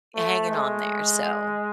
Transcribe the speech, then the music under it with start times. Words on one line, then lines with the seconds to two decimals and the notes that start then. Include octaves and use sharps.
hanging on there. So
0.16 A3
0.49 G#3